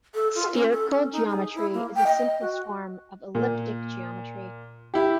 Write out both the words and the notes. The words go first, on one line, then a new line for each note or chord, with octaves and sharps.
Spherical geometry is the simplest form of elliptic geometry.
A4
F4
C#4
A4
C#4
D#4
G#4
E4
A#3
G5
D#5
F#4
A#2
E4 G4